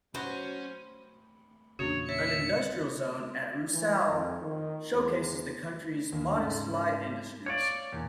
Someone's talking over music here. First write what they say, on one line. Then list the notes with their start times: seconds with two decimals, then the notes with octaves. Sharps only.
An industrial zone at Rusayl showcases the country's modest light industries.
0.15 F#3 C#4 F#4 B4 C5
1.79 E2 A#2 C#3 D4 F#4 C#5
2.09 C#5 E5 C#7
3.72 E3
4.09 F2
4.42 D#3
4.93 E2
6.12 D#2 A#3
6.35 G#2 C#3 A5
7.46 C#5 D5 F5 C#6 D6
7.93 E2 A#2